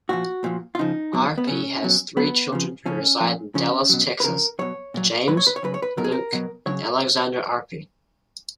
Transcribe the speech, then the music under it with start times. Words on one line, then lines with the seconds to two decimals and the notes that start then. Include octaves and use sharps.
Arpey has three children who reside in Dallas Texas: James, Luke, and Alexandra Arpey.
0.09 A#2 F3 F#4
0.44 A#2 F3
0.75 F4
0.79 C#3 F3 D#4
1.13 B2 F#3
1.38 B3
1.47 C#3 F#3 C#4
1.83 B2 F#3
2.17 B2 F#3 B3
2.52 C#3 F3
2.86 C#3 F3 C#4
3.20 A#2 F3
3.55 C#3 F3 C#4
3.89 B2 F#3
4.20 B4
4.24 C#3 F3 A#4
4.59 B2 F#3 C#5
4.94 A#2 F#3
5.28 A#2 F#3 B4
5.37 C#5
5.47 B4
5.56 C#5
5.63 C#3 F#3 B4
5.74 C#5
5.82 B4
5.97 B2 F#3 A#4
6.04 G#4
6.12 A#4
6.33 B2 F#3
6.66 C#3 F#3 C#5